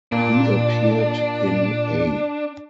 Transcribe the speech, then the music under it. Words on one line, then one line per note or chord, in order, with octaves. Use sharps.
He appeared in A.
A#2 D4